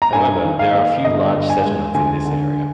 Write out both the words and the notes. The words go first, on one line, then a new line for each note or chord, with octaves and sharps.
However, there are few large settlements in this area.
A#5
G2 G#5
D#3
F5
A#3
G1 D#5
G2
G#5
G#3
D2 G#5
D3